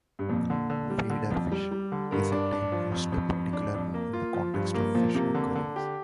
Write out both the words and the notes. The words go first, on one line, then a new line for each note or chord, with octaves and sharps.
"Feeder fish" is a term used particularly in the context of fish aquariums.
G2
F2 A#2
D3
D3
G3
D3
F2
G3
G3
D3
G2 A#4
D4
D4
F3
F2
F2
F2
D4
F2
A#3
F4
F3
G2 F3
G2 A#3
A#2 F3
C3 A#3
D3
D3
G4